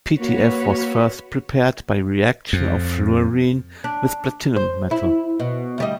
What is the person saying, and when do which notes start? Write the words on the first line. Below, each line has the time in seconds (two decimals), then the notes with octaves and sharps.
PtF was first prepared by reaction of fluorine with platinum metal.
0.19 A#3 F#4 B4 C#5
2.53 F2
3.84 D4
4.56 C5
4.91 E4
5.40 B2
5.78 D2 G3 D#5